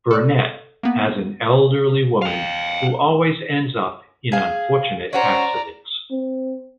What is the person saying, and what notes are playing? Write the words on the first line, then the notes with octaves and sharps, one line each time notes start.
Burnett as an elderly woman who always ends up in unfortunate accidents.
A4 D5 F#6
A#3 B3
F5 G5
G#4 F5
C#4 F#4 C5 D5 A#5
C4